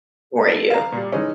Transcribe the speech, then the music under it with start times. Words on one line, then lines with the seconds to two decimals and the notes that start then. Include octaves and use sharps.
for you.
0.50 A4
0.70 F5 A#5
0.92 A#2 G3
1.12 E3 G#3 C#4 D#4